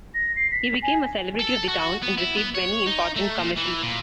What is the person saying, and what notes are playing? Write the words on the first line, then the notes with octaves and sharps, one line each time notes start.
He became a celebrity of the town, and received many important commissions.
A#6
C7
B6
G#5
A4
F#4
B3
E4
B3
C#5
D#4
A3
A#2
E3
A#2